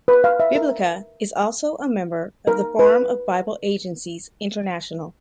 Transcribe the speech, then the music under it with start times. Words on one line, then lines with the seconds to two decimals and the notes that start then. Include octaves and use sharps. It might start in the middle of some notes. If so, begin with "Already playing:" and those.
Biblica is also a member of the Forum of Bible Agencies International.
0.08 B4
0.24 F5
0.40 E5
0.55 A#4
2.47 A#4
2.79 B4